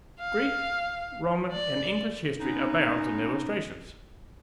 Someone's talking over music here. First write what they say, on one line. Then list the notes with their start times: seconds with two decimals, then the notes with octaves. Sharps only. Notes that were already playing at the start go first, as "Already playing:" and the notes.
Greek, Roman and English history abounds in illustrations.
0.20 F5
1.52 D5
2.41 B3 C#4 D#4